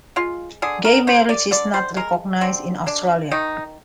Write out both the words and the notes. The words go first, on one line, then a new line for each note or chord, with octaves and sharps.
Gay marriage is not recognised in Australia.
G#3 F4
D3 G#4
A#4
G#3 C5
D5
D3 D5
C5
G#3 A#4
D3 C4
G#3 D4
D#3 D#4